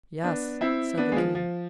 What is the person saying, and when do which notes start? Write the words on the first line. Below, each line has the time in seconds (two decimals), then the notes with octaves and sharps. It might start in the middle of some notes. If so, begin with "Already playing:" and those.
"Yes," said the King.
0.23 B3 D4
0.61 C4 E4
0.97 B3 D4
1.12 G#3
1.16 F3
1.35 F3